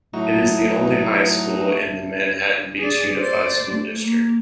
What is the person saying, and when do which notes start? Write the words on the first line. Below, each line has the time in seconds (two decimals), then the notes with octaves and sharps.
It is the only high school in the Manhattan Beach Unified School District.
0.13 A2 F#3 D#4 E5 A5
2.79 G#4 D5
3.19 C5 D5
3.72 A3
4.00 A#3